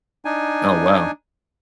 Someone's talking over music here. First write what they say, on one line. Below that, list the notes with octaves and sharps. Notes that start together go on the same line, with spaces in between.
Oh wow.
D4 D#4 G#5